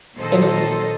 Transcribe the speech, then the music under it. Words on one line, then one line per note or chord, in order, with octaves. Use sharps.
And s
A#2 D#3 A4 C5 D#5